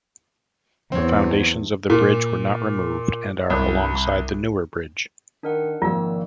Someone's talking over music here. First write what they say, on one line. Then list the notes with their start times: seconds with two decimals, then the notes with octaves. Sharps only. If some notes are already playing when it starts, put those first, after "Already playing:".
The foundations of the bridge were not removed and are alongside the newer bridge.
0.92 E2 C4 C#5
1.90 A#2
3.50 C2
5.43 D#3 D4 A#4 F#5
5.82 G#1 D#3 F3 A#3 F4 E6